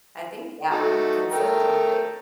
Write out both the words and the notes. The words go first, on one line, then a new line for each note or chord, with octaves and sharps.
I think, yeah, consistency.
A3 D#4 F#4
A3 A#4 G5